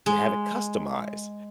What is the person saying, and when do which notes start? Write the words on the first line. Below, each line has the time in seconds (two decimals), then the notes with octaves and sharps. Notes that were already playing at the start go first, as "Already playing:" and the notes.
ge have it customized.
0.06 G#3